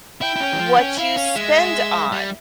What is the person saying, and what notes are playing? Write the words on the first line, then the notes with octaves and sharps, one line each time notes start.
what you spend on,
E4 G5
E4
C#4
E3
F3
C#4
E4 F5
C#4
G#3 E5
G3